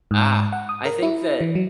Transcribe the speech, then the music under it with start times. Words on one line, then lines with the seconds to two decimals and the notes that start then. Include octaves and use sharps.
Ah. I think that
0.11 G#2
0.53 F#5
0.69 D#6
0.85 A#4
1.02 E4
1.41 E3
1.55 F#3